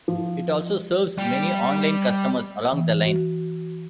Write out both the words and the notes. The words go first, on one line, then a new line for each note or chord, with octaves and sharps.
It also serves many online customers along the line.
F3
G3 G4
E3
F#4